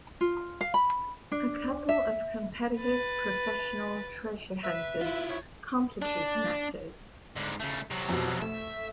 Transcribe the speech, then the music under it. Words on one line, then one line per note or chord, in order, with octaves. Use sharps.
A couple of competitive professional treasure hunters complicate matters.
F4
F5
B5
D4
E5
B4 A6
B4 E5
E4 F4
F3 B3 C#5
D4
G#2 D3
C#3 A3
C3 F#3
F2 B2
A3 E5